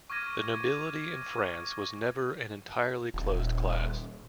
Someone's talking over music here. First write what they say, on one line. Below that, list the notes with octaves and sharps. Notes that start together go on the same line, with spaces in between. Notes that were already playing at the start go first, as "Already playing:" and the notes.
The nobility in France was never an entirely closed class.
C#6 D6 F6 G#6 A#6 D#7
D#1